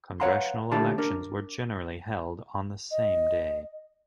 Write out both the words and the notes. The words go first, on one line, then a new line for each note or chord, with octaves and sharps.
Congressional elections were generally held on the same day.
B4 C#5 F5 F#5 A#5 C6
A2 D3 D4 E4 G4 A5
D4 A#4
D#5